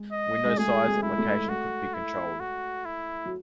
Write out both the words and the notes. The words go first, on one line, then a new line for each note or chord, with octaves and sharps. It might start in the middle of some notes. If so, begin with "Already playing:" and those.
Window size and location could be controlled.
Already playing: G#3
D#5
G#3
A3 G#4
G#3
E4
A3
F#4
E4
F#4
E4
F#3